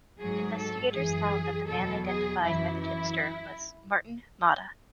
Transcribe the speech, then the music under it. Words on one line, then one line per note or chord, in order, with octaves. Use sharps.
Investigators found that the man identified by the tipster was Martin Motta.
G#2 F#3 G#4
A4
F#2 E3 G#4
E2 B2 F#3 A4
G#4
F#2 E3 E4
E4